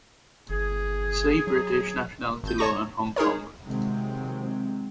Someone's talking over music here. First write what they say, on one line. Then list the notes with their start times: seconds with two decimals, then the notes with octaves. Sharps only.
See British nationality law and Hong Kong.
0.50 G1 G#4
1.47 F#3
2.43 G#1 G6
2.58 C#5 A5 A#5 C#6 A#6
3.16 D#4 G#4 A#4 C#5
3.65 C3 D#3 F#3 G#3 C4